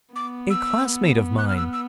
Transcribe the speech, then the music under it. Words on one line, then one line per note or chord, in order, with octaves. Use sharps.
"A classmate of mine."
B3 D6
E6
F#6
F6
E6
E6